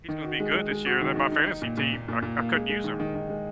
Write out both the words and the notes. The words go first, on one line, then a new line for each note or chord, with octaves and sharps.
"He's gonna be good this year," and then my fantasy team, I I couldn't use him.
D#3
F#4
G#3
G#3
G#3
F#4
D#3
D#3
D#4
D#4
A#2
A#2
A#2
A#2
A#2
A#3
G#3
G#3
D#3
D#3
D#3
G#3